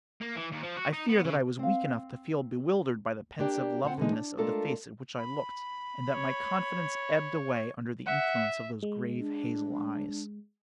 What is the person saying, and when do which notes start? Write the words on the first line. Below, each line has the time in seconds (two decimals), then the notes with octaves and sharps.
I fear that I was weak enough to feel bewildered by the pensive loveliness of the face at which I looked, and that my confidence ebbed away under the influence of those grave hazel eyes.
0.21 A#3
0.35 E3
0.51 D#2
0.63 F3
0.77 F#4
0.93 D#4
1.09 B3
1.25 C#3
1.59 C4 F5
3.39 A#3 D4 G4 D5
3.85 C4 F4 C5 F#5
3.98 D3 E3 F#3 G#3 D#4
4.12 D4
4.37 G#3 A3 D4 F4 A4 A#4
5.18 B5
6.14 C#5
8.06 E5 F#5
8.82 G#3
9.19 D4